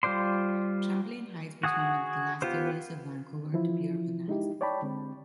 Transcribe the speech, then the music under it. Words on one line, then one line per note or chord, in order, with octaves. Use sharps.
Champlain Heights was one of the last areas of Vancouver to be urbanized.
G3 F4 C5 D5 C6
F#4 G#4 F#5 D#6
B3 F4 G4 C5
E3 F3 E4
G#3 D#4 E4 G4
C#5 D5 G5 A5 B5
D3 G#3 C4